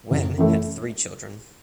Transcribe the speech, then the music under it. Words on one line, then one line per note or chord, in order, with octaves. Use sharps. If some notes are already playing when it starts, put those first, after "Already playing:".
Wen had three children.
F#1
F#2 E3 A3